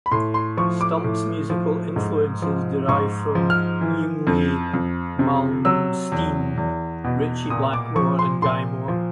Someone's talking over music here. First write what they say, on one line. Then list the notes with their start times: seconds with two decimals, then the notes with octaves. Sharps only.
Stumps' musical influences derive from Yngwie Malmsteen, Ritchie Blackmore and Gary Moore.
0.06 B5
0.11 A2 C6
0.34 C6
0.57 F3 C#6
0.81 D6
1.04 A2
1.50 F3
1.96 G#2
2.42 F3
2.88 G#2 C#6
3.35 F3
3.50 F6
3.81 E3
4.27 F2
4.74 F2
5.19 C3
5.65 F#3 E6
6.12 E2
6.58 E2
7.04 B2
7.50 A#2 D#6
7.73 D6
7.96 F3 C#6
8.19 C6
8.42 A#2 C6
8.88 F3